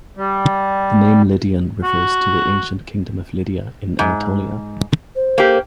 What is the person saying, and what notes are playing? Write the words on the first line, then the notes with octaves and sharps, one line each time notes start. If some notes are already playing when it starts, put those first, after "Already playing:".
The name Lydian refers to the ancient kingdom of Lydia in Anatolia.
G3
F#4
G#2
C5
A#3 G4